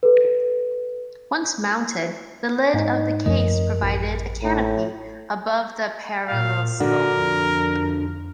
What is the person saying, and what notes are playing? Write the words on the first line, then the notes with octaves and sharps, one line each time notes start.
Once mounted the lid of the case provided a 'canopy' above the parallescope.
A4 B4
G#2 D#4
F#2 F3 A3 A#4 D#5
A1
A2
A#2 F5
D3 D4 F#4 A#4
F2